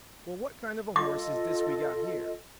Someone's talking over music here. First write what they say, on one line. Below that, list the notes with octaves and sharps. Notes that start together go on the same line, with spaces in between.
Well, what kind of a horse is this we got here?
F4 A4 D#5 D6